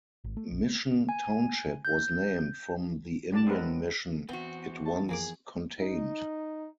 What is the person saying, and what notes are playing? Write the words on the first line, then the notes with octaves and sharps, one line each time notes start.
Mission Township was named from the Indian mission it once contained.
G#1
A3
A#1
B3
G#5
G6
G3 D4 D5 A5
G#3 C4 A#4 B4 F#5
E2 B3 C4 F#4
A5
F2 A#3 G#4 D6
D#4